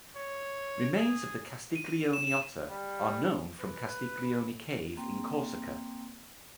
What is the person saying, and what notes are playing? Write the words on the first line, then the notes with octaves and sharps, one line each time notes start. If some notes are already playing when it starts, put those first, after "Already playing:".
Remains of the Castiglione otter are known from Castiglione Cave in Corsica.
C#5
G#4
D#7
E7
E7
G3
B4
A#3 C4 G5